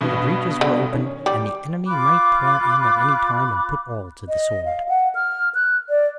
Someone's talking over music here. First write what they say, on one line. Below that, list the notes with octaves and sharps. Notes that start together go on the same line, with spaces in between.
The breaches were open, and the enemy might pour in at any time and put all to the sword.
G2 B2 B3
D3
D#3 C#4
G3 D6
F4 B5 D6 F#6
D#5
F5
F#5
F6
F#6
D5